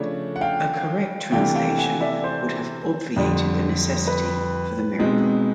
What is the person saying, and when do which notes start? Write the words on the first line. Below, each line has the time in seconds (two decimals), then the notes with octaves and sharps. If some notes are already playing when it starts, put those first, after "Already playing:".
A correct translation would have obviated the necessity for the miracle.
Already playing: C#3 F3 A3 D4 C#5
0.36 F#5
0.41 F5 G5
1.32 C3 E3 A3 D4 F5 G5
1.55 F5 G5
1.78 F#5 G#5
2.01 D5 E5
2.24 C5
3.16 F2 D3 G3
4.07 B4
4.99 B2 G#3 C4 D#4